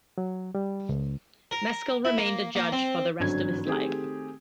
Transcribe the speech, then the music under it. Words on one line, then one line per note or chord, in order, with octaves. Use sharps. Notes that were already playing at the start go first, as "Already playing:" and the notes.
Meskill remained a judge for the rest of his life.
F#3
G3
C#2
A#4
E4
A#3
A#3
C4
G#1 G2 D3 F#3 C#4 G#6
D#3 A3 C4 G4 G#4